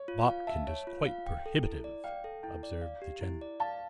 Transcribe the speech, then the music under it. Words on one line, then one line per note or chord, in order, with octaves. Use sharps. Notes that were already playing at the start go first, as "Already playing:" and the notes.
"Botkin is quite prohibitive," observed the general.
Already playing: C#5
F4
F5
E5 A5
C#5
F4
F5
G5
A4
E4
D5
F5 G5
A4
E4 G5
D5
F5
G4
E4
D5
F5 A5